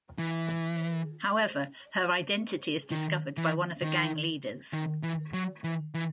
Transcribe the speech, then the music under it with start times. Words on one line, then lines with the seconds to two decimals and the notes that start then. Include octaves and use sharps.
However, her identity is discovered by one of the gang leaders.
0.18 E3
2.91 D#3
3.37 E3
3.82 D#3
4.74 D#3
5.03 E3
5.33 F#3
5.64 E3
5.94 E3